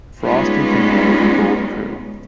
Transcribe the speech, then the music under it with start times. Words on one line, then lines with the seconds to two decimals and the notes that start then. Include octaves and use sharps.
Frost in command of the Gold Crew.
0.22 G3 G#3 B3 C#4 D#4 F4